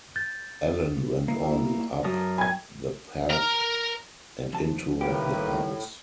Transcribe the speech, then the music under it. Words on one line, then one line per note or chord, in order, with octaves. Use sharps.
Ellen went on up the path and into the house.
G6 A6
A#3 E4
F#2 F#3 A#4 A5 D#6
G5 G#5 B5 G#6
A#4 A#5
F2 A5
A2 D#3 G3 A3 A#3 G4 B4